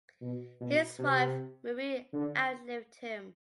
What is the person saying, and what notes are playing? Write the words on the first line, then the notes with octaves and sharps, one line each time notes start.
His wife Marie outlived him.
B2
B2
C3
D3